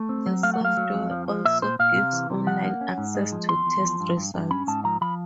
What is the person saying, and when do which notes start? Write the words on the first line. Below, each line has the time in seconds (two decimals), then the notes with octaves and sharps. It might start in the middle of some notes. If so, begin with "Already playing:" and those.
The software also gives online access to test results.
Already playing: A3
0.09 C4
0.26 F#3
0.43 A3 F5
0.54 F#5
0.60 F#3 F5
0.77 F#3
0.94 F2
1.11 F3
1.28 F3
1.45 A#2 E5
1.62 A#2 C5
1.79 A#2 F5
1.96 C3
2.13 E3
2.30 C3
2.47 F3 F#5
2.64 A#3
2.81 C#4
2.98 G#2
3.15 G#3
3.32 F3
3.49 E2 C6
3.66 E2
3.82 F3
4.00 G2
4.17 G2
4.34 G2
4.51 C#4 B5
4.67 G#2 A5
4.85 F3 A#5
5.01 F3 B5